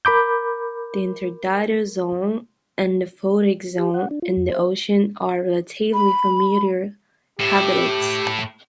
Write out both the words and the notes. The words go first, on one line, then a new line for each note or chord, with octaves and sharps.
The intertidal zone and the photic zone in the oceans are relatively familiar habitats.
A#4 B5 D6 G6
G4
F#5
D4
F4
F2
C5
B5
A2 E4 G4